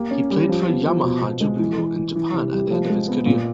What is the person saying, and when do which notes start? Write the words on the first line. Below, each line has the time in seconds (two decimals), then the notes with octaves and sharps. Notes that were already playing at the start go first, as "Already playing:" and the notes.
He played for Yamaha Jubilo in Japan at the end of his career.
Already playing: A#3 G4
0.11 C#4
0.30 G3
0.49 F3
0.67 B3
0.86 F3
1.03 B2
1.22 B2
1.41 G#3
1.59 E3
1.78 E3
1.96 E3
2.16 E3
2.33 C3
2.52 G3
2.71 F3
2.90 G#3
3.08 B3
3.26 A#2